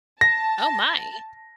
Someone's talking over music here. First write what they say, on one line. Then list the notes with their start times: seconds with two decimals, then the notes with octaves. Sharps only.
Oh my!
0.21 A5 A#6